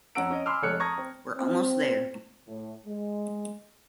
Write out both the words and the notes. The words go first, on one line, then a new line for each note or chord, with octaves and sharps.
We're almost there.
F2 C#4 F#5 A#5 E6 D7
C#4 D#5
G#5 B5 C6 D6 E6 F6
F1 G#3 A4 C#5 F#6 C#7
A5 A#5 C#6 D#6 G#6 A#6
C4
C4
A2
G#3